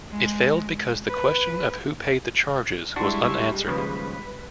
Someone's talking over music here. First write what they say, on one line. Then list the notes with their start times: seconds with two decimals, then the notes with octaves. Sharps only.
It failed because the question of who paid the charges was unanswered.
0.11 G#3
1.07 B4
2.96 G3 G#3 D4 E4 F#4 C6 C#6
3.67 D#2 C#3 F3 B4